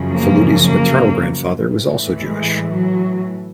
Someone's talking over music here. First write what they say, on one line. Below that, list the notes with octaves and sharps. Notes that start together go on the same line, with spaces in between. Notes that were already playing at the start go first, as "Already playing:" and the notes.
Faludi's maternal grandfather was also Jewish.
Already playing: F#2 C#3 F3
A#3
A#3
A2 E3
G#3
F#3